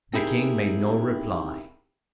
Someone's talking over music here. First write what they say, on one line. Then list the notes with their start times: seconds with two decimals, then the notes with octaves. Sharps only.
The king made no reply.
0.14 C4 D#4 E4 G4 G#4 A#4